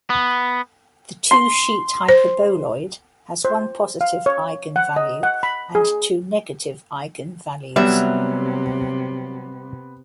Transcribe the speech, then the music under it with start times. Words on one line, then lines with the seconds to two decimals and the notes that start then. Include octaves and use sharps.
The two-sheet hyperboloid has one positive eigenvalue and two negative eigenvalues.
0.10 B3
1.31 C6
2.09 C5
3.45 C5
4.01 F5
4.26 C#5
4.76 F#5
4.96 D#5
5.23 F#5
5.43 B5
5.75 G#4
7.76 C3 F#3 G3 B3 E5